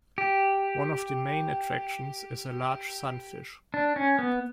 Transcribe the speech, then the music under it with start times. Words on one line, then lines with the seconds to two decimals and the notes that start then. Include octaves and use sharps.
One of the main attractions is a large sunfish.
0.18 G4
3.74 D4
3.96 C#4
4.19 B3